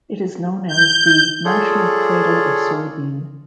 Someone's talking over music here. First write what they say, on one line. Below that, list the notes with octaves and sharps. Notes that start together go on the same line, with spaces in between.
It is known as the "National Cradle of Soybean".
G6
F4 G#4 A4 C#5 D5